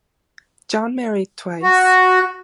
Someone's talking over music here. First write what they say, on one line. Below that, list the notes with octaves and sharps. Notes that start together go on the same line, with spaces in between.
John married twice.
F#4